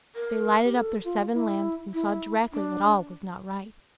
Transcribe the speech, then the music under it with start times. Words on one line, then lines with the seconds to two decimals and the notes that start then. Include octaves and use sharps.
They lighted up their seven lamps, and saw directly that all was not right.
0.16 A#4
0.65 G4
0.75 A4
1.05 F4
1.34 E4
1.94 E4
2.53 D4